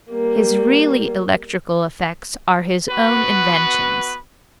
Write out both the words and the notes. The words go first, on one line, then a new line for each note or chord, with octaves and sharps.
His really electrical effects are his own inventions.
G3 A#3
B3 F#4 B4